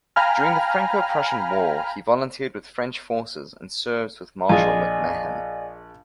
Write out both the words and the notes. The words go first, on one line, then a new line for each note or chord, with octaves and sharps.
During the Franco-Prussian War he volunteered with French forces and served with Marshal MacMahon.
F5 G5 G#5 A#5 B5 F6
A#1 F4 G#4 D5 D#5 G#5